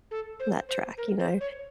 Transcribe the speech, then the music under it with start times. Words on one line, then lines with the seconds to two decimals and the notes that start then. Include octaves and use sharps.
that track, you know,
0.11 A4
0.40 C5
0.69 C5
0.98 A#4
1.19 C5
1.41 C#5